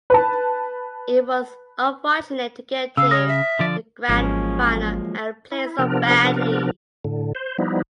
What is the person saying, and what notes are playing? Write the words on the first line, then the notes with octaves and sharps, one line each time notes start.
It was unfortunate to get to the Grand Final and play so badly.
B4 A5
C#3 F5 E6
C#5 D#6 F6 A#6
E5
D3 F3 D5
G#1 F3 F#3 G#3 A#3 C#4
E4
C3 F3 B3 D4 A#4
A2 D3
C5
F3 G3 B3 D#4 E4